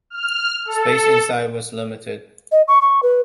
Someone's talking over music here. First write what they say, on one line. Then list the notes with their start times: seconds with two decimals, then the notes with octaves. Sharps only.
Space inside was limited.
0.10 F6
0.65 A4
2.52 D#5
2.68 C#6
2.82 C#6
3.03 B4